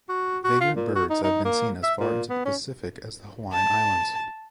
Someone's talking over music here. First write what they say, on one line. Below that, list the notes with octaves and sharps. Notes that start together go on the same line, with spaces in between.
Vagrant birds have been seen as far into the Pacific as the Hawaiian Islands.
F#4
F#4
F4
A#2
F#4
D#4
D#4
A#3
E5
A#2
B3
C#4
A5